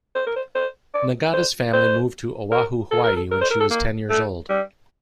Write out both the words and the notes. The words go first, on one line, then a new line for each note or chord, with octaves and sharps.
Nagata's family moved to Oahu, Hawai'i when she was ten years old.
C5
A#4
C5
C5
D5
C5
C5
A#4
A4
A#4
A4
A#4
C5
A#4
A4
A#3
A3
G3